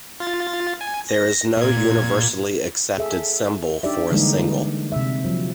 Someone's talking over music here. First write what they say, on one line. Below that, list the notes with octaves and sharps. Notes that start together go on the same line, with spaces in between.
There is no universally accepted symbol for a single.
F4 A6
G#5
A#6
A#2 G#6
G#4 A4 E5
D4 D#4 G4 D5 E5
D3 E3 G3 G#3 A#3 D#4
C3 E5
F3 F#3